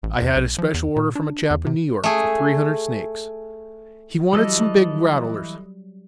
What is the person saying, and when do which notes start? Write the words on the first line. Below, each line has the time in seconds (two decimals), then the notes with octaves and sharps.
I had a special order from a chap in New York for three hundred snakes--he wanted some big rattlers.
0.03 A1
0.22 E2
0.36 B1
0.58 F3
0.74 E2
0.96 A#2
1.15 D4
1.51 E2
1.66 C3
2.04 A3 G#4
4.33 E3 F#3 G3 A4 D#5